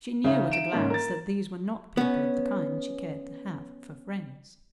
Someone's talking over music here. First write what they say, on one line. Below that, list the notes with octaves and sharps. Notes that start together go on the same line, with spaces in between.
She knew at a glance that these were not people of the kind she cared to have for friends.
C#3 D#4 E5 F5
D7 E7
G#2 A#3 C#4
A#4 A6
B3 C#4